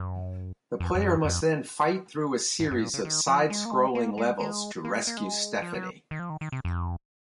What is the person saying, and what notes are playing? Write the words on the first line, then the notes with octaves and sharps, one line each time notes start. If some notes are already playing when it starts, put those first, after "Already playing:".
The player must then fight through a series of side-scrolling levels to rescue Stephanie.
Already playing: F#2
F2
F2
F#2
F2
G#2
F#2
G#2
A#2
C#3
D#3
F3
G#3
A#3
G#3
A#3
G#3
G#3
A#3
G#3
A#3
G#3
F3
F#3
D#3
F3
D#3
D#3
C3
F2